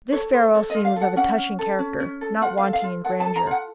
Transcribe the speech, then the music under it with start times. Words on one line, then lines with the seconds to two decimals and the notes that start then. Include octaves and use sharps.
This farewell scene was of a touching character, not wanting in grandeur.
0.12 A4 C#5
0.33 A4 C5
0.54 A4 C#5
0.70 D#5
0.75 F4
0.85 F5
0.96 A4
1.01 F#5
1.16 C#4 F#5
1.38 C#4
1.59 A4
1.79 C#4
2.00 C#4
2.21 A4
2.42 F4 F#5
2.58 F5
2.62 A4
2.73 F5
2.83 F4
3.05 A4 F#5
3.20 A5
3.26 A4
3.36 A#5
3.47 F4 F#5